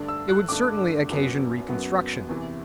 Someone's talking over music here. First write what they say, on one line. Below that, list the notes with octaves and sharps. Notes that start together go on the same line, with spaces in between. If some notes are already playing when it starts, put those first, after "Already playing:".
It would certainly occasion reconstruction.
Already playing: G2 D3 A3 D4
E6
F#6
G2 D3 A3 D4 D6
F#1 F#2 F#3 B3
F#1 F#2 F#3 B3
E2 C3 E3